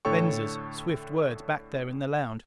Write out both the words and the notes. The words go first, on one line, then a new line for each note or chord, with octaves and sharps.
Venza's swift words back there in the lounge.
A2 D3 A4 C#5 G5 C#6